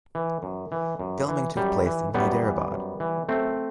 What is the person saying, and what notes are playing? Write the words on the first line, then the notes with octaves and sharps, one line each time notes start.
Filming took place in Hyderabad.
E3
F#2
E3
F#2
E3
F#2 G3
E3
F#2 G3 B3
E3
F#2
E3
F#2 A3 C4